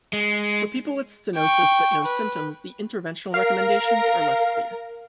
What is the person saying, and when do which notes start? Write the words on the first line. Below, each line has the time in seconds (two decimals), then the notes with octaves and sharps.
For people with stenosis but no symptoms, the interventional recommendations are less clear.
0.13 G#3
1.35 G5 C#6
2.04 B4
3.34 A#4 F5